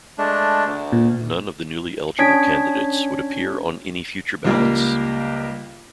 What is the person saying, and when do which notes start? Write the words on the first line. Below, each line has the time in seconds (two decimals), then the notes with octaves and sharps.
None of the newly-eligible candidates would appear on any future ballots.
0.18 G#3 A3 D4
0.66 D2
0.92 A#2
2.19 C#4 D4 C#5 G#6 B6 D7
4.45 C#2 G3 A#3